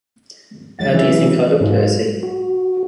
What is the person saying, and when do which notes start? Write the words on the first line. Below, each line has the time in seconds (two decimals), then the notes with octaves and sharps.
How do you think I look, Bertie?
0.79 F#3 G#3 F#5 A6
0.93 E3 F#3 E5
1.61 G#2 B2 F#3 F4
2.23 F#4